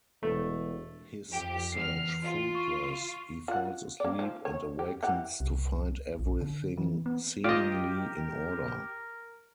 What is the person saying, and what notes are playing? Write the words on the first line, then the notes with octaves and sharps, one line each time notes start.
His search fruitless, he falls asleep and awakens to find everything seemingly in order.
E1 A3
F2 G4
E2 F6 C7
F4
C#6
F4 F#5
A#3 D5
F3
C#5
G4
E3 G4 F#5
C2
A#1
D3
E3
B3
F4 G4 A#4 D5 D#5